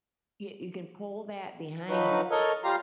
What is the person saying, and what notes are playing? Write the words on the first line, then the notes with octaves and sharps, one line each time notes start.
yeah, you can pull that behind.
F3 F#3 D#4 F#4 B4
A4 A#4 C#5 D#5
G3 F4 G4 F5 A#5